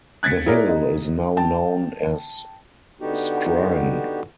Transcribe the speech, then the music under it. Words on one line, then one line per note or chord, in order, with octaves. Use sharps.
The hill is now known as Skryne.
F#6 G#6 A6 B6 C#7
E4 G#4 A#4 C#5 D5 E5
D#4 D#5
G5 A5
D3 B3 D#4 F#4 G4